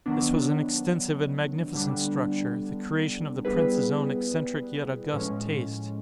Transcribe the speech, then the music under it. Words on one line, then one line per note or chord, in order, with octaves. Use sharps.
This was an extensive and magnificent structure, the creation of the prince's own eccentric yet august taste.
D#3 F#3 B3 D4
D3 G3 B3 D4
G3 B3 E4 G#4 B4
A2 F3 G#3 C#4